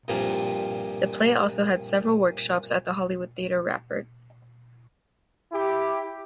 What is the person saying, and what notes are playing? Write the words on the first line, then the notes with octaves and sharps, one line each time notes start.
The play also had several workshops at the Hollywood Theatre Rapport.
C2 G2 A#2 F3 G3 A#3
E4 G4